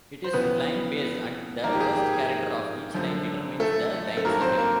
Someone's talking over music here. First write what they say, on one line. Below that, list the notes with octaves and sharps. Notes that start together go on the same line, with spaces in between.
It is line-based, and the first character of each line determines that line's effect.
C5
F2 C#3 E3 B3 B4
G#2 F3 A#3 A#4
G4
G#4
G4
G#4
F#2 D3 F3
A3 A4
A4
G2 D#3 F#3 A#3 A#4
C4 C5
A#3 A#4